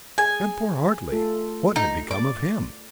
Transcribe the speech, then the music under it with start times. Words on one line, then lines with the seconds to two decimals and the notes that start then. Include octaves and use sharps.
And poor Hartly--what had become of him?
0.18 G#4 G#5
1.12 A3 F4 A4
1.76 D#4
2.11 D5 D6